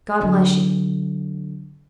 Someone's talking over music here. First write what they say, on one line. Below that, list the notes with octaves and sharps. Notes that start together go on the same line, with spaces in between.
'God bless you!
D3 F#3